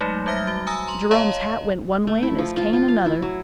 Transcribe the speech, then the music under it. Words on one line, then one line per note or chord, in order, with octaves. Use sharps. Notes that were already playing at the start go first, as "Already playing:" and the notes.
Jerome's hat went one way and his cane another.
F#3 G#3 A3 D#4
F#3 G3 E5 F6 A#6
F#4
G#5 A#5 D#6 E6 A#6
A#5 C6 F#7
C#5 D#5 F5 A5 A#5 C6
A3
E4
F3
F4
F4
F5
E4
F#3